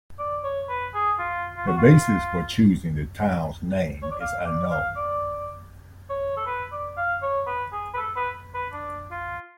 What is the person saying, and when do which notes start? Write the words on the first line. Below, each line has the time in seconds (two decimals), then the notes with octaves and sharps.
The basis for choosing the town's name is unknown.
0.19 D5
0.44 C#5
0.69 B4
0.94 G#4
1.19 F4
1.57 F4
1.67 F#4
1.78 F4
4.02 C#5
4.11 D5
4.21 F5
4.46 D5
4.71 F5
4.96 D5
6.10 C#5
6.37 A4
6.47 B4
6.72 D5
6.97 F5
7.22 C#5
7.47 B4
7.72 G#4
7.94 B4
7.97 A4
8.16 B4
8.54 B4
8.73 D4
9.11 F4